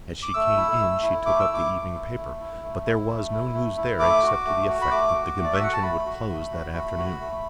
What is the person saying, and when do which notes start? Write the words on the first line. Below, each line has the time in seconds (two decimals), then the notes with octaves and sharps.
As she came in she took up the evening paper, but there was no news there except to the effect that the Convention would close that afternoon.
0.23 D6
0.34 A3 E6
0.57 E4
0.80 A3
1.03 E4
1.26 A3 D6
1.40 E6
1.49 E4
1.54 D6
1.72 A3
1.95 E4
2.17 A3
2.40 E4
2.64 A3
2.85 E4
3.09 A3
3.32 E4
3.55 A3
3.77 E4
3.99 A3 D6
4.23 F#4
4.46 A3
4.69 F#4
4.82 B5
4.91 A3 D6
5.14 F#4
5.37 A3
5.44 D5
5.54 E5
5.60 F#4 F#5
5.73 A5
5.83 A3 B5
6.05 F#4
6.29 A3
6.51 F#4
6.74 A3
6.97 F#4
7.20 A3